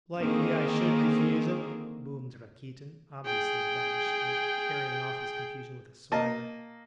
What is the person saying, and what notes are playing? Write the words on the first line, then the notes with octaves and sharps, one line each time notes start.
"Likely I should refuse it," boomed Rakitin, obviously abashed, but carrying off his confusion with a swagger.
D3 D#3 A#3 C4 G#4
G#4 G5
A#3 D#5 A5